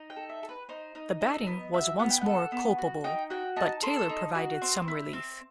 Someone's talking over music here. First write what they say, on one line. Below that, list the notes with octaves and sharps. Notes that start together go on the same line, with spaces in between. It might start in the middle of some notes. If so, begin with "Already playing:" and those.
The batting was once more culpable, but Taylor provided some relief.
Already playing: D#4
G5
A4
E5
A4
B4
D#4 C5
D#4
A4
B3 D#5
F#4 E5
B3 F#5
G5
A4 F#5
B3
F#4
D#4 G5
F#4 G5
D#4 A5
A4 C6
D#4
F#4
C4
E4
C4